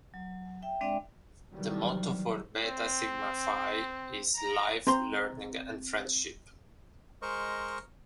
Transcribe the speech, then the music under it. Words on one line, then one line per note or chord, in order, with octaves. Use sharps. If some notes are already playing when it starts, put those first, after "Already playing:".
The motto for Beta Sigma Phi is Life, Learning and Friendship.
F#3
E5 G5
G#3 C4 D4 D5 E5 G5
C3 D#3 E3 F#3 G3
C4
A#5
C4 C5 A#5 C6
G#3 A#4 C5 D#5 C#6